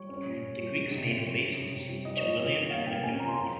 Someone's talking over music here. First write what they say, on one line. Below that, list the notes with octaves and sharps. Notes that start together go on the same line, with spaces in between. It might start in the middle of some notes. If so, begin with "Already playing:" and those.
The Greeks made obeisance to William as their new ruler.
Already playing: G3 C#5
C#4
A#2
A#2
G3
G#3
C3
C4
F3
C#4
C3
C3
G3
D#4 D#5
F3 C#5
D#5
F3
C4
A#3 F5
C3 G5
C#4 G#5
F3 A#5
C6
C4 A#5